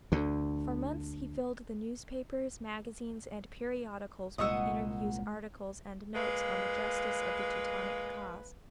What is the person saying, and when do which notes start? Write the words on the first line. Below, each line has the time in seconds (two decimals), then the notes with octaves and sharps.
For months he filled the newspapers, magazines, and periodicals with interviews, articles, and notes on the justice of the Teutonic cause.
0.12 D2 D3
4.38 C2 A#2 G#3 D#5 F#5 C#6 D#6 E6
6.15 G#3 A#3 F4 B4